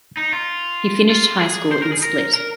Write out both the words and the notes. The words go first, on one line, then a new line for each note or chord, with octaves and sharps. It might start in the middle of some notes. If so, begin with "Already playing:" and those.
He finished high school in Split.
D#4
F4
F4
G#4
C5
A#4
G#4
A#4
A#4